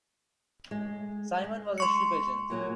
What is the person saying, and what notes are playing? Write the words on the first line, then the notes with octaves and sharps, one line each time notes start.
Simon was a ship agent.
G#3
G#3
C6 C#6 C#7
A#2 F#3 G#4